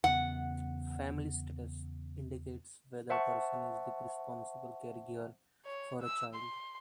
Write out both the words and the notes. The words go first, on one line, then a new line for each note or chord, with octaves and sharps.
"Family status" indicates whether a person is the responsible caregiver for a child.
E2 C#3 B3 F#5
C5 E5 F#5 A5 C#6
C#5
E6
C6